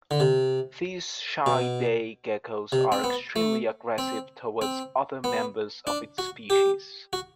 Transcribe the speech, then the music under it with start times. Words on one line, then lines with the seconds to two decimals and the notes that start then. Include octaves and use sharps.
These shy day geckos are extremely aggressive toward other members of its species.
0.11 D3
0.20 C3
1.46 B2
2.72 C3
2.92 C4
3.04 B3
3.36 A3
3.98 C4
4.62 C4
5.24 B3
5.87 D4
6.18 F#4
6.50 G4
7.13 F#4